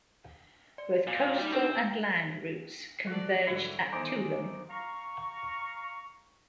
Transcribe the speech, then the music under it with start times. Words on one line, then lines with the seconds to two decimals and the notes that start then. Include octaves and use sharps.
Both coastal and land routes converged at Tulum.
0.78 D5
1.07 A#2
1.38 G3 D#4 F#4
1.52 C4 D4 D#4 B4
3.07 F3 F#4 A4 D5
3.47 G#2 D3 G3 E4
3.92 E2 D#3 D#4 C5 D5 G#5 D6 D7
4.69 F5 A#5 C#6